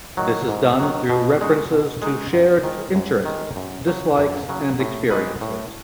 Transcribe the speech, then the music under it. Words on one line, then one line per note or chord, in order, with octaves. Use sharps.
This is done through references to shared interests, dislikes, and experiences.
D#3 F#3
G#2
D#3 F#3
B2
G#3 D#4 F#4
B2
G#3 D#4 F#4
F#2
D#3 G#3
F#2
D#3 G#3
F#2
C#3 F#3
F#2
C#3 F#3
A2
G#3 D#4 F#4 B4
A2